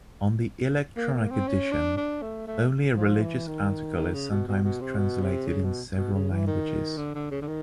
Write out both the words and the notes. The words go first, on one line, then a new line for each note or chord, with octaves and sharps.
On the electronic edition, only a religious article is sometimes translated in several languages.
A#3
A#3
C4
C#4
D4
D4
A3
A3
F3
E3
D#3
D#3
C#3
B2
B2
B2
C3
B2
C3
C#3
B2
B2
C#3
E3
D#3
D3
D3
C#3
D3
D#3